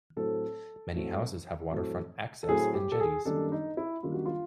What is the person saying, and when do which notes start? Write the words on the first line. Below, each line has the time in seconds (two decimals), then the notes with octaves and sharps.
Many houses have waterfront access and jetties.
0.17 A2 F#3 A3 C4 A4
0.94 A2 F#3 A3 C4
1.71 A2 F#3 A3 C4
2.43 A4
2.48 A2 F#3 A3 C4 G#4
2.74 G4
2.92 A4
3.00 G#4
3.25 F#2 D#3 G3 A#3 D4 A4
3.52 D#4
3.77 E4
4.03 F#2 D#3 G3 A#3 D4 F4
4.14 F#4
4.26 F4